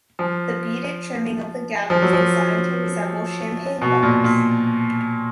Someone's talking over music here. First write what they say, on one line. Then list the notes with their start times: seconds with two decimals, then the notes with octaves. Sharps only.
The beaded trimming of the gown was designed to resemble champagne bubbles.
0.19 F3
1.90 F3
2.02 F#3
2.13 F3
3.81 B2
4.03 A#2
4.24 A#2